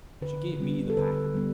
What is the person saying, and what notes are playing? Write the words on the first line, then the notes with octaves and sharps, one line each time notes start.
She gave me the packet.
D3 B4
G3 B3
A4
D3 B4
G3 B3